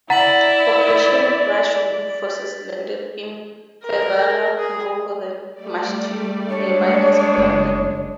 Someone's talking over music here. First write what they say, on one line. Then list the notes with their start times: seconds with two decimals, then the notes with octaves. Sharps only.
Operation Brushwood forces landed in Fedhala, Morocco, then marched to nearby Casablanca.
0.10 E4 D5 F#5 A#5 A6 B6 F#7
3.84 A#4
4.58 G#4
5.54 G3 A3 D5
6.49 G#3 D4 C#5
7.37 F#1